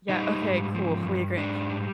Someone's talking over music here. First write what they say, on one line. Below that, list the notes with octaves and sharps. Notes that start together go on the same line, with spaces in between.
Yeah, okay, cool, we agree,
G3 D#4
G#2
F3
G2
G#2 D4
G3